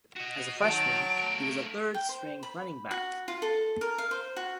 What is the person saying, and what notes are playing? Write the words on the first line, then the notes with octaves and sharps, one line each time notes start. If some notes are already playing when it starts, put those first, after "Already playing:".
As a freshman, he was a third-string running back.
F#4 D#5
D#3 F#3 A5 D7
A3 A#4
G5
C5
B5
F#4
F4
A4
A#4
F5
C5
F#4